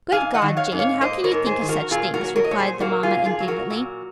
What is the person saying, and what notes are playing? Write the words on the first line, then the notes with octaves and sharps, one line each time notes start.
'Good God, Jane, how can you think of such things?' replied the mamma indignantly.
G#2 F5 G#5
D#5 F#5
D#3
C#5 F5
G#2
C#5 F5
A#3 C5 D#5
A#4 C#5
G#2
G#4 C5
D#3
F#4 A#4
A#2 F4 G#4
F#4 A#4
F#3
A#4 C#5
D#5
A#2 C#5
G#4 C5
A#3 F#4 A#4
F4 G#4
A#2
F4 G#4
F#3
F#4 A#4
A#2